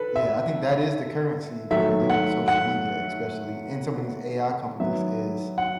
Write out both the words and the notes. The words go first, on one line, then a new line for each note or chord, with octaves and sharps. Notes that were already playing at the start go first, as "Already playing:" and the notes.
Yeah, I think that is the currency when we're dealing with social media, especially in some of these AI companies, is
Already playing: A4 B4
E5
D#3 F#3 A3 E5
F#5
F#5
D#3 F#3 B3 E5
F#5